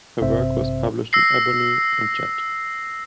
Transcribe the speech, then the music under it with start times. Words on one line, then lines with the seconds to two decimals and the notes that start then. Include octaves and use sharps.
Her work was published in "Ebony" and "Jet".
0.22 A1 G2 C3 C4 C5 E5
1.13 E6 A#6 C7